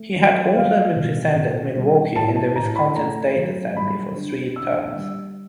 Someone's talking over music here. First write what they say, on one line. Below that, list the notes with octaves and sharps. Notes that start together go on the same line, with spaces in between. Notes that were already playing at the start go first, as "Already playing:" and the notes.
He had also represented Milwaukee in the Wisconsin State Assembly for three terms.
Already playing: A3
F#3
G3 F5
B2
B2
G3
A2 A5
A5
A2 A#5
B5
A3 A#5
F#3
G3 B5
D3
D3 E6
G3